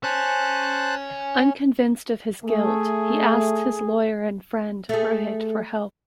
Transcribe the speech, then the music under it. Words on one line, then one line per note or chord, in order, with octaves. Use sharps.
Unconvinced of his guilt, he asks his lawyer and friend Rohit for help.
C#4 C5 A5 F#6
A3 G#4
A3 G#4